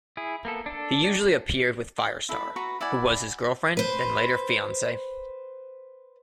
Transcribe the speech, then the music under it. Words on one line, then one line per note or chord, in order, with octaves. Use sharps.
He usually appeared with Firestar, who was his girlfriend then later fiancee.
E4 G#4
A#3 B3 A4
D4 A4
D4 D#4 G4
E4 A4 B4
F#4 B4 A#5 C#6
E4 D5 F#5 G#5
B4 C5